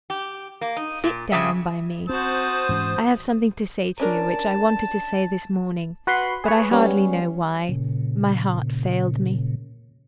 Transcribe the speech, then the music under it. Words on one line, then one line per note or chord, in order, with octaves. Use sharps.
Sit down by me. I have something to say to you which I wanted to say this morning; but, I hardly know why, my heart failed me.
G4
A#3
D#4
A#2
C#3 G3 G#4 E5
C4 F#4 C5 A5 D#6
G#2 E3 C#4
C#4 D4 A#4 A5
F#4 B4 F#5 B5 C6
G#4 B4 C#5
G3 B3 C#4
A#2 C#3